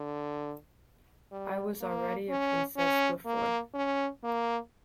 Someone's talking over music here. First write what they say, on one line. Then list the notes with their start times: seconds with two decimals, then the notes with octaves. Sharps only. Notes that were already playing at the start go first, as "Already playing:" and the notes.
I was already a princess before.
Already playing: D3
1.32 G3
1.81 A#3
2.30 C#4
2.77 C#4
3.26 A#3
3.75 C#4
4.24 A#3